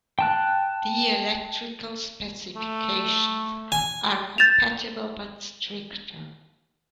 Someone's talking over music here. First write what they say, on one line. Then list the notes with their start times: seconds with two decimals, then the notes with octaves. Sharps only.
The electrical specifications are compatible, but stricter.
0.19 G5 A5 F#6
2.56 A3
3.72 G#5
4.38 G6 A6 E7 F7